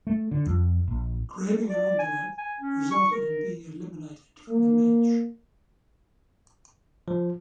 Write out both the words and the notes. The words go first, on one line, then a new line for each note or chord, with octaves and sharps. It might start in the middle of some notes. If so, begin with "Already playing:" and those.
Grabbing an envelope resulted in being eliminated from the match.
A3
D3
F2
A#1
D5
G#5
G#5
C#4
C#6
A#4
A#3
F3